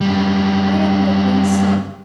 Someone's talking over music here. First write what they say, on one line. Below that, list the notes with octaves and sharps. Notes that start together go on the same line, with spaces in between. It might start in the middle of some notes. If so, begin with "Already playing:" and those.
I'm the Queen's son.
F#2 G3